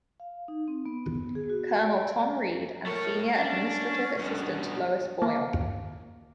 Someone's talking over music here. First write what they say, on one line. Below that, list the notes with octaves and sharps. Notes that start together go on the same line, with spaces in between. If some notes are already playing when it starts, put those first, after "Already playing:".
Colonel Tom Reid and Senior Administrative Assistant Lois Boyle.
F5
D#4
C4
B3
G#4
F#4
D5
A3 A#4 C#5
C#4 D4
G2 B2
A#3